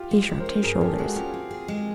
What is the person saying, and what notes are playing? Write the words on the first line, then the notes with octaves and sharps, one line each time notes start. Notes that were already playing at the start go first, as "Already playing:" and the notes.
He shrugged his shoulders.
Already playing: F4 G4
G#3
G#3
A#4 C5
C#4
G2 G#4 A#4
C#4 G4 A4
G#3 F#4 G#4
C#4 F4 G4
C4
G#4
G#3